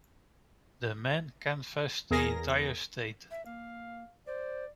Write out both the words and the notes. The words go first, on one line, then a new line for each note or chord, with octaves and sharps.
The men canvased the entire state.
E2 G#4 A#4 A#6
E5
A#3 F5
C5 D5